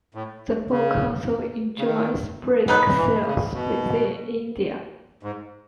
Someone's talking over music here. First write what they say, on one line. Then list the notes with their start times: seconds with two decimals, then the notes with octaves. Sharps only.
The book also enjoys brisk sales within India.
0.14 A2
0.71 C#3
1.79 C#3
1.84 D#3
2.68 F#3 B3 D#4 F#4 B4
2.96 E3
3.26 C#3
3.53 B2
5.23 G#2